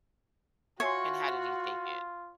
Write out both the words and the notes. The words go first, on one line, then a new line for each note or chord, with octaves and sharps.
And how did he take it?
F4 F#4 C#5 E5 G#5 C6